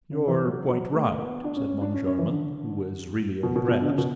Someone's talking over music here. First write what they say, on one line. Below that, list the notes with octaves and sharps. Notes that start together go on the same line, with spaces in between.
"You're quite right," said Moncharmin, who was really impressed.
C#3
E3
F#3
F#3
A3
B3
D4
C#4
C#4
D4
C#4
C#4
E3
D3
B2
B2
B2
D3
C#3
B2